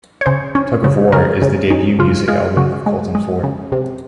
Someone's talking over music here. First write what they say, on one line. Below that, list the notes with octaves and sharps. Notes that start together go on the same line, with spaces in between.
Tug of War is the debut music album of Colton Ford.
C#5
C#3 C5
C#4
C#3
C#3 A#4
C#3
C#4 D#4
C#3 F4
G#3 F4
C#3 F#4
G#3
G#3
C#3
C3